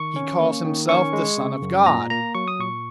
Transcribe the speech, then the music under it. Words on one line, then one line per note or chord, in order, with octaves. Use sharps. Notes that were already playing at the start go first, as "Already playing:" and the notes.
He calls himself the son of God.
Already playing: D#3 C#6
C#4
A#3
D#3
C#4 C#6
G#3
C#3
F#2
A#2 A#5
A#3 A#5
F#3 C#6
D#6
A#2 C#6